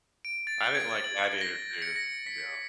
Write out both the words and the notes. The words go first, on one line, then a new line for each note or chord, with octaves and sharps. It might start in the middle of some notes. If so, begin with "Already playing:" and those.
I didn't like Gladiator II, I'll be honest.
D7
A6
G#6
G#6
F#7
A#6
C#7
A#6
B6